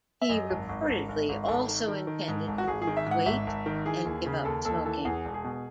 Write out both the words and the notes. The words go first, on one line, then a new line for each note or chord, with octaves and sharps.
He reportedly also intended to lose weight and give up smoking.
E5
F#2 D#5
G#1
G#1
G#1
G#1
G#1
G#1 A4
D#3
D#3
D#3
G#2
G#1
F#4
G#1 G#4
G#4
D#3
E5
G#2
F#5
G#1 E5
G#1
D#3
E3 G#4
D#2
C#3
D#2 A4
D#2 A4
E3 A4
E2 G#4
E1
G#4
B2